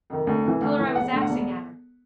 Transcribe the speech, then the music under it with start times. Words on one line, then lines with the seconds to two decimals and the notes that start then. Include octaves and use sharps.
Tell her I was axing at her.
0.10 F2 C3 D#3
0.27 D2
0.44 C3 E3
0.61 D2
0.79 C3 E3
0.96 E1 F#5
1.13 D2 D3
1.21 F#5
1.30 E1